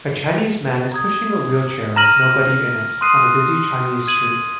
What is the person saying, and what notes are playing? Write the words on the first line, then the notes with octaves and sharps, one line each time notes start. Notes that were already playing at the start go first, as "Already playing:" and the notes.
A Chinese man is pushing a wheelchair with nobody in it on a busy Chinese street.
A#5 D#6 G#6
A#5 F6 A#6 D#7 F#7
C6 D#6 F#6 C7 D#7
D#6 G#6 D#7 F#7